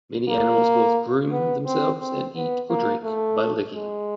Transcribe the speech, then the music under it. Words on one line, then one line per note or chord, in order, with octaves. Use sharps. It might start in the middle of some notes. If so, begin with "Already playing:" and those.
Many animals both groom themselves and eat or drink by licking.
A#3
B3
C4
C4
B3
A#3
A3
G#3